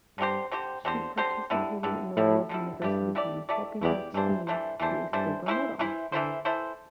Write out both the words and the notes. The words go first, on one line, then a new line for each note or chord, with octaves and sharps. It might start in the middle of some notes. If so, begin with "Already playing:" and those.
She participated in the World University Games, helping her team to a silver medal.
G2 D3 C4 G4 C5
D3 C4 G4 C5
E2 D3 C4 G4 C5
D3 C4 G4 C5
G2 D3 G3 E4
G2 D3 G3 E4
A2 D3 G3 E4
D3 G3 E4
G2 A3 E4 G4 D5
A3 E4 G4 D5
A3 E4 G4 D5
E2 A3 E4 G4 D5
G2 E3 A3 D4 C5
E3 A3 D4 C5
E2 E3 A3 D4 C5
G2 E3 A3 D4 C5
E3 A3 E4 C5
G2 E3 A3 E4 C5
D3 E3 A3 E4 C5
E3 A3 E4 C5